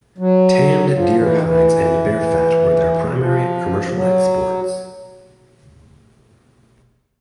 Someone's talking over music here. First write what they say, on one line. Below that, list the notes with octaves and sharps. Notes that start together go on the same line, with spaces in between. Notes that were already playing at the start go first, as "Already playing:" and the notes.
Tanned deer hides and bear fat were their primary commercial exports.
F#3
F3
E3
D#3
E3
F3
F#3